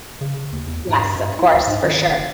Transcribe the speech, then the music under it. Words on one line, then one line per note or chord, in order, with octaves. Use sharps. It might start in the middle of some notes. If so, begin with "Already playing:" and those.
Yes, of course, for sure.
C#3
D#2
E2
G#2
G2
G2
E4
D2
G#2
D#3
F#1